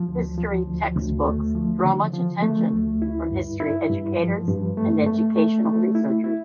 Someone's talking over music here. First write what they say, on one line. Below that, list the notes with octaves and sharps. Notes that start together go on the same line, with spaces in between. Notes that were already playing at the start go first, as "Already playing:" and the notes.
History textbooks draw much attention from history educators and educational researchers.
Already playing: F3
D2
F3
D2
D2
A3
F3
D3
F3
A3
D2
E4
G2
E4
G2
F3
G2
A3
A3
A3
A3
E4
E4